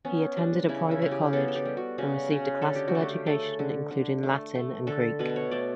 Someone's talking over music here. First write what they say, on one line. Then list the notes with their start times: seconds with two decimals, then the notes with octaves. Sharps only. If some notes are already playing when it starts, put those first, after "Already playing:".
He attended a private college and received a classical education including Latin and Greek.
0.05 B3 C#4
0.37 G3 D4
0.69 C#3 E4
0.91 E4
1.02 C#3
1.11 G4
1.33 B3 A4
1.48 A4
1.55 G4
1.65 G3
1.77 F#4
1.98 C#3 F#4
2.30 C#3
2.62 D3 A4
2.75 G4
2.88 F#4
2.95 A3
3.00 G4
3.26 A3 A4
3.59 D3
3.91 D3
4.23 A3
4.55 A3
4.87 D3 A4
5.19 B2 B4
5.36 C#5
5.51 A3 D5